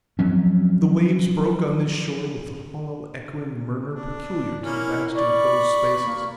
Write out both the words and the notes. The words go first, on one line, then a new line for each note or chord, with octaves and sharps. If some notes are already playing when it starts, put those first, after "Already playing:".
The waves broke on this shore with the hollow echoing murmur peculiar to vast inclosed spaces.
F3 F#3 C4 C#4
D4
A#3 C#4 E4
D5 B5 C#6
A#3